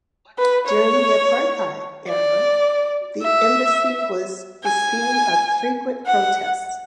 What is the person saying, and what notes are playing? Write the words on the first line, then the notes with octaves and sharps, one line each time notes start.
During the apartheid era the Embassy was the scene of frequent protests.
B4
C#5
D5
E5
G#5
F#5